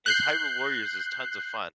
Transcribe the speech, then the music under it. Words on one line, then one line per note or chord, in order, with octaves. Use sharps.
is, Hyrule Warriors is tons of fun,
F#6 G6 C7